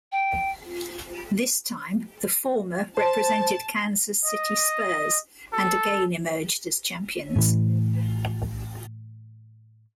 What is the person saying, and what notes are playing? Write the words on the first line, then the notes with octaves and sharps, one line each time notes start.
This time the former represented Kansas City Spurs and again emerged as champions.
G5
C5 A5
D#5
A4
A2 E3